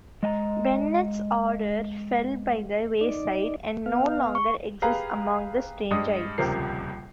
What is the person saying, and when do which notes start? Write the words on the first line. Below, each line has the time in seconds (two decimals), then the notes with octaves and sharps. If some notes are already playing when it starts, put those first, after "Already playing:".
Bennett's "order" fell by the wayside and no longer exists among the Strangites.
0.23 G#3 D#5 G#5 A#5
3.01 D#4 D5
3.86 B3 F5
4.35 C#6
4.82 G4 G#4 B4 F5 A#5
5.91 G2 G#3 D#6
6.38 D#1 C#2 C3 F3 A#4 C7